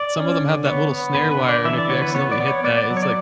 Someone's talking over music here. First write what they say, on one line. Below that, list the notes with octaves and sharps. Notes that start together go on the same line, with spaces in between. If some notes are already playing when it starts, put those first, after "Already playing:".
some of them have that little snare wire, and if you accidentally hit that, it's like,
Already playing: D5
C#4
D3
B3 C#5
B3
D3 B4
B4
D3
D5
E3 E5
D5
B3 C#5
B4
B3 C#5
D5
B3
C#5
B3 D5
D5
F#3
C#5
D5